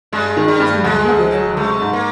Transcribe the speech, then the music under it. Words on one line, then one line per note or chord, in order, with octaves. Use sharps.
He has native power.
G2 G#3
D#3
G3
G2
D2 G#3
D2
F#3
G#3 A3
G#2
A#3